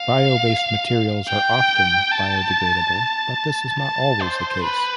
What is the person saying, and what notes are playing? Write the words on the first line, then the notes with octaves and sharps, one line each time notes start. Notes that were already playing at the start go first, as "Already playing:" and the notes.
Bio-based materials are often biodegradable, but this is not always the case.
Already playing: F5
G5
A5
A5
C5
B4